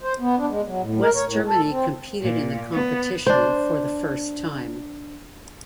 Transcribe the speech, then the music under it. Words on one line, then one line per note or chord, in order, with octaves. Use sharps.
West Germany competed in the competition for the first time.
C5
B3
D4
G#3
F#3
A2
A#4
C#5
A2
A4
C4
A#2
B3
D4 C5